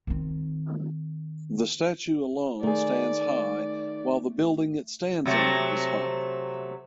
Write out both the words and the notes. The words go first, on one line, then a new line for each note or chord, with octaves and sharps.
The statue alone stands high while the building it stands on is high.
D#3 C4
D#3 A3 G#4 D5
C3 F#3 A3